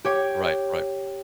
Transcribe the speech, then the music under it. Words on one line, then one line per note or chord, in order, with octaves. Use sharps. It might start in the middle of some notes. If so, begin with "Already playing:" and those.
Right, right.
G4 C#5 G5